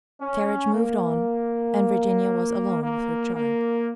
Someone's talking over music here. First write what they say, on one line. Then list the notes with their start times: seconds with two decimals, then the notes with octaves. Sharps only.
The carriage moved on and Virginia was alone with her charge.
0.21 C#4
0.74 A#3
2.83 A#3
3.35 A#3